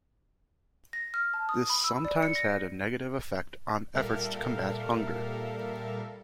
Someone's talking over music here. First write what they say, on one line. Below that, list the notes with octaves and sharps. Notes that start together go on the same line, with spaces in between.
This sometimes had a negative effect on efforts to combat hunger.
A#6
F6
A5
D#6
B5
E6
D5
C#7
A#6
A#2 G3 A4 A#4 E5 F5